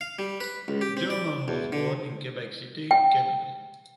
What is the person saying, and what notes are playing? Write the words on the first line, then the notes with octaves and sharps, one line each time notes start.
Gillman was born in Quebec City, Canada.
F5
G3
B4
C#2
G4
C4
D5
E2
D3
G5